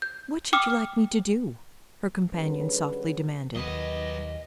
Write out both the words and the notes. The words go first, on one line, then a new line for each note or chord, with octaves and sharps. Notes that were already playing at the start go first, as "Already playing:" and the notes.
"What should you like me to do?" her companion softly demanded.
G6
G5 D6 D#6 F6
D3 F#3 G3 C#4 G#4 B4
D#2 F#3 B4 D#5